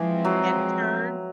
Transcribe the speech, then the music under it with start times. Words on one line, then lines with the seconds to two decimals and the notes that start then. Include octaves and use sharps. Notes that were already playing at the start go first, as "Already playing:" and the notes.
and turn
Already playing: E3 F3 G#3 C4
0.25 F#3